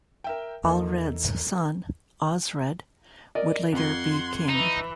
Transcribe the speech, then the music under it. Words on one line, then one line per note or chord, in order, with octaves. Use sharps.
Alhred's son Osred would later be king.
A#4 E5 G5
E2 A#3 D#4 A4
A#4 D5 D#5
F2 F#5 C6 G#6
E3 D#4